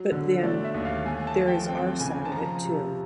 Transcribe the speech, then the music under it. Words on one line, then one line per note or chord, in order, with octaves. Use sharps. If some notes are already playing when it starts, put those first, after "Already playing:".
But then, there is our side of it too.
Already playing: F#3
D3
A3 D5
E5
D#2
F5
A3 G#5
A5
F3
G5
C4 G5
C#3 G#5
A5
F3 A#5
C3